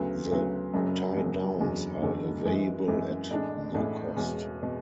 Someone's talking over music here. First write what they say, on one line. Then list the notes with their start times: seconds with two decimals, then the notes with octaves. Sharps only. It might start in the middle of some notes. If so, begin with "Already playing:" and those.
The tie downs are available at no cost.
Already playing: D2 C#3 F#3 B3
0.31 D2 C#3 F#3 B3
0.74 F#1 F#2 C#3 F#3
1.17 F#1 F#2 C#3 F#3
1.60 F#1 E2 D3 F#3
2.02 F#1 E2 D3 F#3
2.45 F#2 E3 G#3
2.88 F#2 E3 G#3
3.30 A1 A2 G#3 D4
3.74 A1 A2 G#3 D4
4.17 E1 E2 B2
4.63 B2